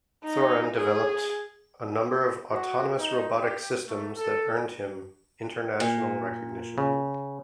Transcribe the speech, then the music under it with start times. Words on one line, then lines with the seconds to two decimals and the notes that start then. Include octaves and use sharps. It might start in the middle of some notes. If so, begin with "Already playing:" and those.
Thrun developed a number of autonomous robotic systems that earned him international recognition.
0.24 D#4
0.75 G#4
2.51 F#4
2.99 D#4
3.39 G4
3.88 A3
4.17 A4
5.80 A#2
6.78 C#3